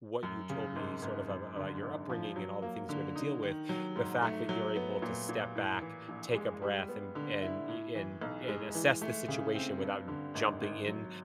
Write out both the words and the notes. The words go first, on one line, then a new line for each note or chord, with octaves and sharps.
what you told me, sort of, ab about your upbringing, and all the things you had to deal with, the fact that you're able to step back, take a breath, and and e and and assess the situation without jumping in,
F#2
C#3
G#1
G#1
F#2
D3
G#1
F3
F#3
A#3
D3
D#4
D#3
F#3
G#2
A3
F#3
B3
A#2
A#2
A2
E3
A#1
G#3
G3
B3
D3
E4
A2
E3
B1
G#3
E3
A3
C#3
C4
G2
D3
G#1
G#1
F#3